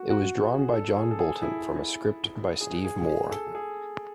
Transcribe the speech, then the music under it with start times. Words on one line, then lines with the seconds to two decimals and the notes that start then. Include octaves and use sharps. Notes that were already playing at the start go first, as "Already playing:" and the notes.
It was drawn by John Bolton from a script by Steve Moore.
Already playing: F#4
0.10 F#4
0.41 G#4
0.73 A4
0.97 G#4
1.11 A4
1.19 G#4
1.42 E4
2.61 G#4
2.84 G#4
3.07 G#4
3.31 A4
3.55 G#4